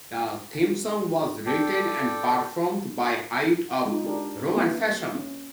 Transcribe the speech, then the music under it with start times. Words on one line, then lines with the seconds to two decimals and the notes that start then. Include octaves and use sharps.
The theme song was written and performed by Height of Roman Fashion.
1.46 A4 D5 G5
3.85 G#3 D#4 F4
4.04 D4 E4 G4 A#4
4.55 A#3 C4 E4 B4 E5
5.15 C#4